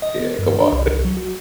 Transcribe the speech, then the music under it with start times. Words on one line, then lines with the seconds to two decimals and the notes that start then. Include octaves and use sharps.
Yeah, come on.
0.02 D#5
0.19 B3
0.39 G2
0.60 D4
0.73 C2
0.92 C2
1.05 F#3
1.17 F#4